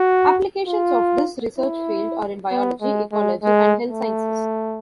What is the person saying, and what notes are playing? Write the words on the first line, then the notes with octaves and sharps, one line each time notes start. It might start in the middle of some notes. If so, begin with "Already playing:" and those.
Applications of this research field are in biology, ecology and health sciences.
Already playing: F#4
F4
E4
B3
G#3
G#3
G#3
A3